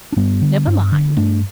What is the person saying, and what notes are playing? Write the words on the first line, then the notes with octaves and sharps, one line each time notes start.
Never mind.'
D4
G2 G3 B3
D3
G2
D3
G2 A3 D4